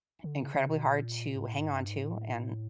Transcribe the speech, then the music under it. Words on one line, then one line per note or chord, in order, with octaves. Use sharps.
incredibly hard to hang on to, and
D3
C#3
C#3
B2
A#2
G#2
A2
G#2
G2
G#2
A2